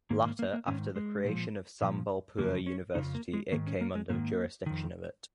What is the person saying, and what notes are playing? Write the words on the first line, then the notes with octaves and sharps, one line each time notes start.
Latter after the creation of Sambalpur University it came under the jurisdiction of it.
G#2 D#3 A#3
A#3
A#3
A#3
G#2 D#3 C#4
G#3
A#2 F3
A#2 F3
F2 C#3 F3 A#3
C#4
F2 C#3 F3 D#4
A#3
G#3
G#2 D#3 A#3
C#4
A#3
G#3
G#2 D#3 A#3
F2 D#3